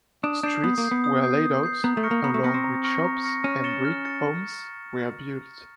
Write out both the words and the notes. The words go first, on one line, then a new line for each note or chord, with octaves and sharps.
Streets were laid out along which shops and brick homes were built.
D4 D#6
D4 G6 C7
B3 D#6
A#3
G6 C7
B3
D#6
G6 C7
D#6
G6 C7
B3 A#5
A3
C#6 F6 A#6 C#7
A#3
B3 A#5
A3
B3 C#6 F6 A#6 C#7
C4
A#5
C#6 F6 A#6 C#7
A#5
C#6 F6 A#6 C#7
C#4 F6
A6 C#7 E7 G7
F6
A6 C#7